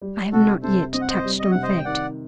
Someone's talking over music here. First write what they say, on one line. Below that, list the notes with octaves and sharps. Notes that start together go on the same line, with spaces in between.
I have not yet touched on fact.
G3
C3 F#4 A4
C3 A4 C5
C4 D#5
F#5
C5 D#5
G3
D#5
C3 F#5
C5 D#5
G5
D#3 D5 F#5